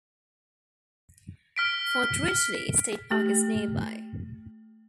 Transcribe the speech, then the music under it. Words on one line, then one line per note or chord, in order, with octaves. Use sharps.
Fort Ridgely State Park is nearby.
F6 B6 D7
A3 G4